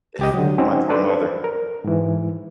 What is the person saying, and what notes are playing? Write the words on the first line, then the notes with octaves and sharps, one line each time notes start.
if my poor mother
C#2 G4 D#5
D3 F#3
C4 C#4 D#4 F#4
D4 A4 B4 C5 D5
A#4
G#2 E3